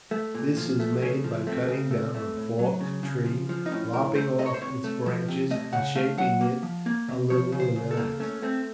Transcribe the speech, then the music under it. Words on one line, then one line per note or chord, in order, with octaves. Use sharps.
This is made by cutting down a forked tree, lopping off its branches, and shaping it a little with an axe.
A3
A#2
F3
A3
C#3 C#4
F3
A3 C4
C#3
A3
A3
A2
F#3
C#3
C#3
F3
F3
D#4
A2 C#4
A2 A#4
A3 C5
A3 D#5
C#5
C5
C3 C#5
A3
F3
C3
A3 D#5
C#3 F#5
A3 F5
F#3 F#5
A#3
F3
A#3
C3
F3 C#5
C#3
C5
C#3
A4
A#3
A3 C#4
A3 C4